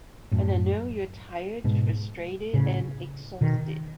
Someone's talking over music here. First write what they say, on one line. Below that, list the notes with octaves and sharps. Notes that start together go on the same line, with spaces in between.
And I know you’re tired, frustrated, and exhausted.
F#2 A2
G#2 B2
A2 C#3
B2 D#3